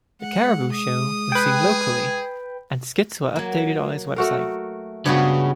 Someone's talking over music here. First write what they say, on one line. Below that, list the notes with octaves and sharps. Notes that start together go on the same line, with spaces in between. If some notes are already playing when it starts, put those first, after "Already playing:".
The Caribou Show was seen locally, and skits were updated on its website.
G#3 F#5
D#6
G#4 B4 G5
F#3 A#3
A3 F#4 A#4
G2 C#3 G#3 B3 F#4 C#5